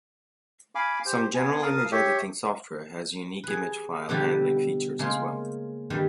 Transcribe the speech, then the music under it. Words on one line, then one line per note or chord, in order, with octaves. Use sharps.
Some general image editing software has unique image file handling features as well.
F5 G#5 B5 D6
G4 C5
B3 G#5
A#4 F5 A5 D#6
G4 C#5 E5
G#4 B4
B2 D3 G3 E4 G4 A4
C#3 G#3 A#3 C5
G2 D#3 G3